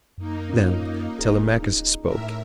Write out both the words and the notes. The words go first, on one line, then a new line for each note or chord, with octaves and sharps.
Then Telemachus spoke.
F#2 A#3 D#4
C#4 F4
D1 G#4
D#4
A2 A#4 E5